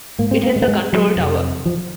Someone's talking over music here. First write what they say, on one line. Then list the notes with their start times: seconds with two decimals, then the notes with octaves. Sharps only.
It has a control tower.
0.18 G#2 A#3
0.31 C4
0.43 A#3
0.56 G#3
0.62 A#3
0.68 G#3
0.93 F#3
1.16 F2 C3
1.66 F3